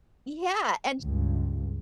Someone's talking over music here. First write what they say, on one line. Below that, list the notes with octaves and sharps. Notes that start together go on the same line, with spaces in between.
Yeah, and
C#2 G2